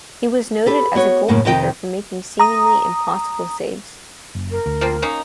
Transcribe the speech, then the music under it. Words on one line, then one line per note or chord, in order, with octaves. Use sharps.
He was noted as a goalkeeper for making seemingly impossible saves.
G4 A4 B4
B3 F#4 C#5
F#2 A2 C#3 A#3
F2 C3 D#3 D#5 G5
A#5 D#6
F#1
A#4
D2
F3 A#3 C4
A#3 C#4 D#4